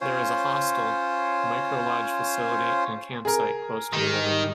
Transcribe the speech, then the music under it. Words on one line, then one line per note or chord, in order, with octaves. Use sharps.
There is a hostel, microlodge facility and campsite close to the river.
C#4 F4 C5 C#5
G#4 A#4
G#1 D#3 G3